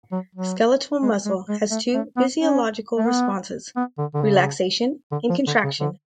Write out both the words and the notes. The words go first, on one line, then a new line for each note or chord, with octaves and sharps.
Skeletal muscle has two physiological responses: relaxation and contraction.
F#3
F#3
G#3
G#3
G#3
A3
A3
B3
C#4
A3
B3
B3
D3
D3
C#3
D3
F3
D3
C#3
D3